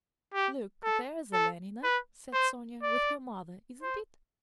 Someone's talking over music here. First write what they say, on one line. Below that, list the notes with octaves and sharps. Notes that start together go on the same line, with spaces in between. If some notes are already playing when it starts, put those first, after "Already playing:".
"Look, there's Alenina," said Sonya, "with her mother, isn't it?"
G4
A4
A4
B4
C5
D5
C5